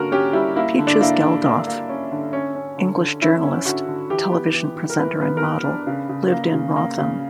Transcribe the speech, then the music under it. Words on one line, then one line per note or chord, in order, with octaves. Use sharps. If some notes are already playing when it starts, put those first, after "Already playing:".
Peaches Geldof, English journalist, television presenter and model, lived in Wrotham.
Already playing: D3 A#3 C#4 F#4 A#4
C#4 G4
G3 E4
A#3 E4
D3
D4
A#3 E4
D3
A#3
A#3
C#4
D3
C#4
C#4
D3
D3
C#4 E4
C#4
D3 F#4
D3
E3 G4
B3
E3
E3
A#4
E3 B4
B3
A#4
B3 B4
D4
C#3
C#3
A#3
C#3
A#3
C#3